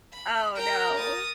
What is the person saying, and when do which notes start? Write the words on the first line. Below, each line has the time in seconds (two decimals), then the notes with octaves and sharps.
Oh, no.
0.12 B5
0.55 A#4 G5 A#5
0.97 D#6 A6